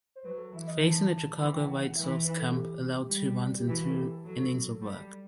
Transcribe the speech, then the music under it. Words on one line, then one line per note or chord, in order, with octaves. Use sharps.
Facing the Chicago White Sox, Camp allowed two runs in two innings of work.
C5
F#3 B4
A4
E3 E5
D#5
E3 A5
A5
E3 B5
G5
F#5
F#5
E3 E5
E5
B4
A4
G4
G3
G4
E3 F#4
F#4
A4
G4
A4
F#3
G3